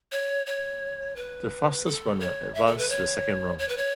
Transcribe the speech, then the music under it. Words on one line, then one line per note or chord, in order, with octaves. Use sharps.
The fastest runner advanced to the second round.
C#5
C#5
B4
A4
C#5
E5
A4
B4
C#5
C#5
B4
C#5